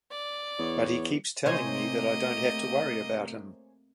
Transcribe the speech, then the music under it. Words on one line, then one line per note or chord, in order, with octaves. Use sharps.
But he keeps telling me that I don't have to worry about him.
D5
E2 C#5
C3 A3 A#3 G4 C5 C#5 D#5 G#5